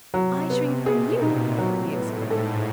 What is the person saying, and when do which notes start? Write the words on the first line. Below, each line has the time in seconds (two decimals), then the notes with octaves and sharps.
"I shrink from YOU!" he exclaimed.
0.14 C3 F#3
0.50 B2 B3
0.86 A#2 G#4
1.22 D#4
1.58 A2 F#3
1.94 G#2 B3
2.30 A2 A4